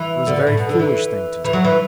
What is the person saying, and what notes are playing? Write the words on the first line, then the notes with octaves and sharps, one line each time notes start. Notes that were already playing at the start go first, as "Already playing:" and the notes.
It was a very foolish thing to do.
Already playing: E3
D3
B2
A2
B2
D3
E3
E3
F#3
E3